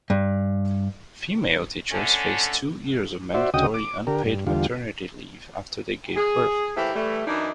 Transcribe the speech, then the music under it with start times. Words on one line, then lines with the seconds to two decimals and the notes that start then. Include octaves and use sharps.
Female teachers faced two years of mandatory unpaid maternity leave after they gave birth.
0.10 G2
1.90 D3 A3 C#4
3.34 F#4 C5 D5 E5
3.54 D2 C#3 F#4 D#5 G5 D#6
3.74 D6
4.07 D3 G4 A#4
4.26 G2
4.47 E2 D3 G3 F4
6.16 G#4
6.76 E3 A3 A#3 C4 E4 G4
6.95 E3 G3 A3
7.26 F#2 E3 D4 D#4